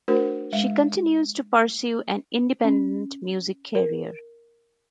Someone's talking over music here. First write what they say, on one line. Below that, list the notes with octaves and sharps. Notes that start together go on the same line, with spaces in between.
She continues to pursue an independent music career.
A3 D4 F#4 A#4 C5
G#3 E5
C#4
A#4